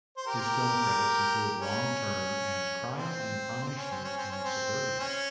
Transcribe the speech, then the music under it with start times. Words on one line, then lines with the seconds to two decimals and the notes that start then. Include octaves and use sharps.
His film credits include "Wrong Turn" and "Crime and Punishment in Suburbia".
0.17 C5
0.26 G4 A#4
1.61 C#4
2.96 C4
3.63 C4
3.77 C#4
3.91 C4
4.04 C#4
4.17 C4
4.31 C#4
4.45 C4
4.99 C#4